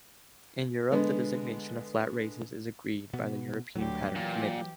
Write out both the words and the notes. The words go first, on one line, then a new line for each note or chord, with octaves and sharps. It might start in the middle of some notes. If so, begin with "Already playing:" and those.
In Europe the designation of flat races is agreed by the European Pattern Committee.
D3 G#3 B3
B2 B3
D2 F#3 G4
A#2 E3 G4